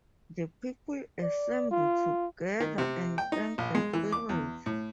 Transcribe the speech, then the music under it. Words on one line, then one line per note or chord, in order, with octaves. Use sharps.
The people assemble together and thank the spirit.
D5
F4
D#3
C3
G5
D#4
A#1
G#3
E3
D6
E2
A2